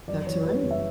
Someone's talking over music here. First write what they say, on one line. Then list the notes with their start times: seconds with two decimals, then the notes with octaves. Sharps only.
That's right.
0.07 F#2 D5
0.27 E3 C#5
0.45 G3 B4
0.58 C#5
0.63 F#1
0.71 E5